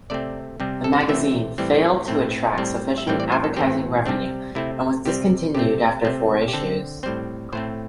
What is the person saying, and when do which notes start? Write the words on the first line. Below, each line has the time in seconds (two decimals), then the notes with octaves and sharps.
The magazine failed to attract sufficient advertising revenue and was discontinued after four issues.
0.10 C3 A3 C4 D5
0.60 C3 G3 C4
0.84 A4
0.93 C5
1.01 D5
1.09 C3 E3 A3 C4 E5
1.58 A2 E3 G3 C4
2.08 A2 A3 C4
2.58 A2 G3 C4
2.98 E5
3.07 A2 E3 G3 C4 G5
3.20 D5
3.32 C5
3.44 A4
3.56 A2 E3 C4 G4
4.06 C3 G3 C4 D4
4.55 C3 A3 C4 E4
5.05 C3 G3 C4 G4
5.55 C3 A3 C4 G4
6.05 C3 A3 C4
6.48 G4
6.53 D3 C4 A4
7.03 A2 G3 C4 C5
7.53 A2 A3 C4 C5